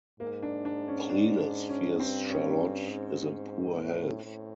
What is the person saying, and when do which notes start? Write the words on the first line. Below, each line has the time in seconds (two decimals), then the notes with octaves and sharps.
Cledus fears Charlotte is in poor health.
0.20 G#2 A#3
0.43 D4
0.65 D4
0.88 C#4
1.10 D4
1.40 D4
1.69 C#4
2.00 G2 C4
2.30 C#4
2.89 G#2
3.79 A2
4.25 A2